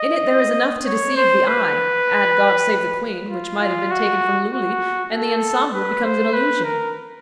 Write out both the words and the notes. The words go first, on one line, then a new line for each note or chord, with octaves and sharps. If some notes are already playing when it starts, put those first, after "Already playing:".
In it there is enough to deceive the eye; add God save the Queen, which might have been taken from Lulli, and the ensemble becomes an illusion.
Already playing: D#5
C#5
C5
B4
F4
F4
F#4
F#4
A4
B4
C5
B4
A#4